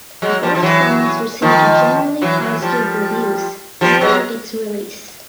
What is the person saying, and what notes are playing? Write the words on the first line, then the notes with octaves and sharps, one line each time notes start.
Both phones received generally positive reviews following its release.
F#3 G#3
F3 G3
F3
E3 F#3
D#3 F3
E3 F#3
E3 F#3
F3 G3
F3 G3
F#3 G#3